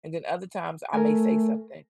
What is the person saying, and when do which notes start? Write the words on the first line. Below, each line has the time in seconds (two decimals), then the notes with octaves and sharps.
and then other times, I may say something
0.94 A3 A#4 G#5